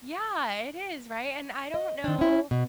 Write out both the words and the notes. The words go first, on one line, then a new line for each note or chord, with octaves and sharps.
Yeah, it is, right? And I don't know
D#5
D#3 D4
C#4 E4
B2